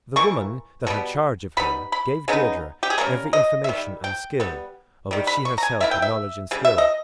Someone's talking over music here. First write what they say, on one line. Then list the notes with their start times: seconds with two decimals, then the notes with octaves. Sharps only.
The woman that had charge of her gave Deirdre every information and skill of which she herself had knowledge and skill.
0.16 E3 G3 A#3 C#6
0.87 B2 G3 B3
1.57 G3 B3 D#4 B5
1.92 B5
2.28 C#3 G#3 B3 D#4
2.83 G4
2.90 G#4
2.98 G3 A#3 C#4 A#4
3.33 D#5
3.64 E5
3.69 D#3 G3
4.04 G5
4.40 G3 B3
5.11 D#3 G3
5.27 B5
5.45 C#6
5.58 A#5
5.63 G#5
5.80 D#3 A#3 E4 E5
5.91 G5
6.02 E5
6.51 C#3 G3
6.65 E5
6.78 D#5